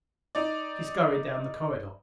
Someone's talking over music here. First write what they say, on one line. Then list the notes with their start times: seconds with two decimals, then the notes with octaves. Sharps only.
She scurried down the corridor.
0.35 D#4 D5